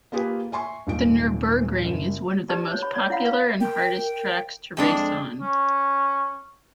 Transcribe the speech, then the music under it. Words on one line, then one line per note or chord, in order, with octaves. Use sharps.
The Nurburgring is one of the most popular and hardest tracks to race on.
A#3 F4 G4 G#4 B4
E5 G#5 C6 C#6
D#1 G#1 A#2 D#3 D7
F#1
D#4 G4 B4 D5 A5
C5 C#5
C#5 B5
C#5 D5
E4 F5 F#5 B5
B4 F5
A#4 G5
F2 G#3 C4 D4 A5
C#4